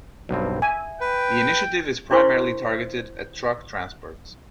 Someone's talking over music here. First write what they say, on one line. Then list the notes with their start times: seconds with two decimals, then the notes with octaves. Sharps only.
The initiative is primarily targeted at truck transport.
0.29 B1 G2 C4
0.62 E5 G#5
1.01 B4 G5
2.11 D4 E4 A#4 C5 C6 C#6